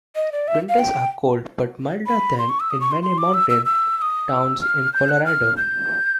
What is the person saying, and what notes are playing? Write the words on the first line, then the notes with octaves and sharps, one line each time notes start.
Winters are cold, but milder than in many mountain towns in Colorado.
D#5
D5
E5
F5
G5
B5
C6
C#6
E6
D#6
C#6
C6
C6
D6
E6
E6
E6
E6
D#6
E6
F6
G6
F#6
F6
G6